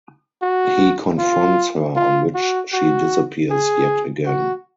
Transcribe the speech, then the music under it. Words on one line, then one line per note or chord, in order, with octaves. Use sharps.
He confronts her on which she disappears yet again.
F#4
F4
F4
F#4
F#4
G#4
F#4